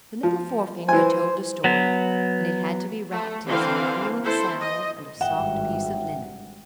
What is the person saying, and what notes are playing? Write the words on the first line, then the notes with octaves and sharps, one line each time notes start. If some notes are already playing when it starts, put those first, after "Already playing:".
The little forefinger told the story, and it had to be wrapped in some cooling salve and a soft piece of linen.
F3
E3 C5 G#5
F#3 B3
A3
D3 E3 C4 F5
E4 A4 C5
D#5
G#1 G2 E5 F#5 G5